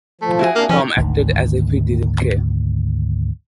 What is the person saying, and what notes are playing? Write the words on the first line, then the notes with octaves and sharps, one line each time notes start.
Tom acted as if he didn't care.
F3 A3
E4 F#4 G#4
C3 A#3 D4 F5
E2 C3 D#3 F3 C#4
G#1 D2 D#3